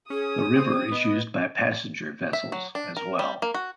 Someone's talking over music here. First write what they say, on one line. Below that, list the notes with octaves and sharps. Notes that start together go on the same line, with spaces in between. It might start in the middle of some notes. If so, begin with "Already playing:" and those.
The river is used by passenger vessels as well.
C#4 G#4 D#6
C4
B3 D#5
E5
F#3
D4
A#4
G3
A#3
F#4